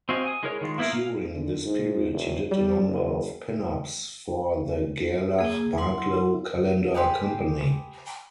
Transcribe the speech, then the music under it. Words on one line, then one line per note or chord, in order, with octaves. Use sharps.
During this period, he did a number of pin-ups for the Gerlach-Barklow calendar company.
C4 F#4 D#5 F5 G#5
G#5 D#6
G#3 E4 G#4 A#4 C#5
D#3 G#3 F4
A#3 B3 E4 F4 A#4
F5
D3
G#2
E1
G3
F#1
A#3 G#4
F#3 E4 F#5 C6
G4 G#4 B4 C6